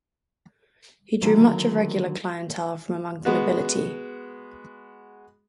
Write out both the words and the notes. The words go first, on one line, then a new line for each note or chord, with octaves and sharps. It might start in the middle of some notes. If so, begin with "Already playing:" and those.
He drew much of regular clientele from among the nobility.
D3 D#3 F#3 A3 A#3
G#3 B3 F#4